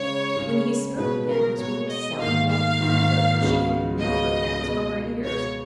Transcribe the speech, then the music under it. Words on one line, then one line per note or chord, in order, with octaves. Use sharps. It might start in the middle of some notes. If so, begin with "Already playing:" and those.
When he spoke again, his words sounded like thunder, for she had removed her hands from her ears.
Already playing: C#3 G#3 C#4 C#5
C#3 G#3 C#4
B2 G#3 B3 B4
A#4
B2 G#3 B3 C#5
D#5
G#2 D#3 A#3 F5
F5
G#2 D#3 A#3
C#2 C#3 G#3 B3 F#4
C#2 C#3 G#3 B3 F#4 D#5
B2 G#3 B3
B2 G#3 B3 C#5